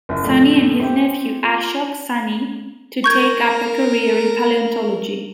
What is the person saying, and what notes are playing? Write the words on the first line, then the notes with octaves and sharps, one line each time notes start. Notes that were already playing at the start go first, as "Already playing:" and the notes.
Sahni and his nephew Ashok Sahni to take up a career in paleontology.
F#1 E4
F2 A2 D3
C4 E4 G4
F4
A#4 C#6 G6 G#6